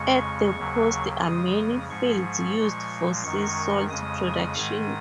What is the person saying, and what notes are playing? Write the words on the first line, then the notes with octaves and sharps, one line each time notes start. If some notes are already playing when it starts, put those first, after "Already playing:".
At the coast are many fields used for sea salt production.
Already playing: F2 C#3 G#3 C#6
D#2 C#3 F#3
F2 C#3 F3 G#3 D#6
G#2 F3 G#3 C#6
A#2 F3 G#3
F#2 D#3 G#3 C#6
F2 C#3 G#3 D#6
G#2 D#3 G#3